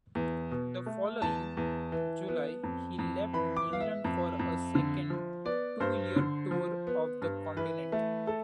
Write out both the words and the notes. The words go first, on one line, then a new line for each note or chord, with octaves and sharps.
The following July he left England for a second, two-year tour of the continent.
E2
B2
A3
E2 A5
E2
E3
B3
F2
F2
E3 B5
D6
B3 F5
E5
F2
F2
D3
F3
B3 D5
G2 C5
D3
F3
B3
G2
E3 B4
A3
A4